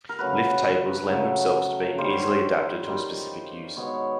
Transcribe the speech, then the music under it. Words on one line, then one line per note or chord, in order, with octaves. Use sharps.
Lift tables lend themselves to being easily adapted to a specific use.
A#4
C#3 F#3 A3 B4
C#3 F#3 A3
D#3 G3 A#3 C5
C#5
C5
D#3 G3 A#3
B2 G#3 B3 C#5